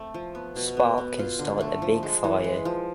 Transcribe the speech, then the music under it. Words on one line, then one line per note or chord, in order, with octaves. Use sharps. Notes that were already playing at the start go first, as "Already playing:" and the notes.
Spark can start a big fire.
Already playing: A3 C4
F3
B3
B2
B3
B3
F4
D3
A3
F3
G#3
E3
G#3
F3